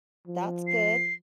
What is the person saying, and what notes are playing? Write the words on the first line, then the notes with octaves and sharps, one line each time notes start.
That's good.
F3
C7